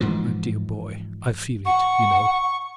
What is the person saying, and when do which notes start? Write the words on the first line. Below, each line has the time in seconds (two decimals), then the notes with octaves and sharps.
My dear boy, I feel it, you know.
0.01 G#2 E3 F3
1.65 F#5 C#6